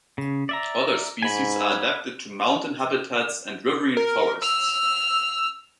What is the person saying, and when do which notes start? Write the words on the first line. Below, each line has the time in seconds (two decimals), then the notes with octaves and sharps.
Other species are adapted to mountain habitats and riverine forests.
0.18 C#3
0.49 D5 E5 A#5
1.22 G#2 G#5 B5
3.97 A#4
4.42 E6 F6